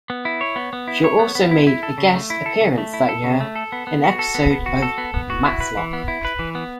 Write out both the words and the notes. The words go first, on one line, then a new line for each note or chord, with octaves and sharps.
She also made a guest appearance that year in an episode of "Matlock".
B3
E4
C#5
B3
B3
E4
C#5
B3
B3
E4
E4
A4
C#3
A3
E4
A4
C#3
A3
E4
A4
C#3
A3
A4
B3
B3
F#4
A4
B3
B3
F#4
A4
B3
B3
F#4
E4
B4
E3
B3
E4
B4
E3
B3